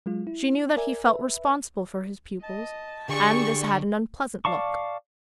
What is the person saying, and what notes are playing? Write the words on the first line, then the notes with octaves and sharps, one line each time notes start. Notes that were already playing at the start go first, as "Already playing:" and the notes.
She knew that he felt responsible for his pupils, and this had an unpleasant look.
F#3 G#3 F4
E4
A#4 D5 E5 G#5
B4 E5
D#5 A5
D3 G4 G#4 D5 C#6
D5 F5 A5 C#6